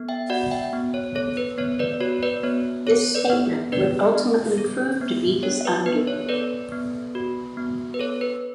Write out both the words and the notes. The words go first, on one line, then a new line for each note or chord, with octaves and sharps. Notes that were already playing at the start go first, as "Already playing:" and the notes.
This statement would ultimately prove to be his undoing.
Already playing: B3 A4
E5 G5
F#4 D5 F#5
E5 G5
B3
C#5
A4 C#5
B4
B3 C#5
B4 D5
F#4 C#5
B4 D5
B3 C#5
A4 C#5
B4 D5
B3
D4 B4 D5
B3
A4
B3
D4 C#5
B4
B3 B4
C#5
A4 B4 D5
B3
F#4
B3
B4
A4 C#5
B4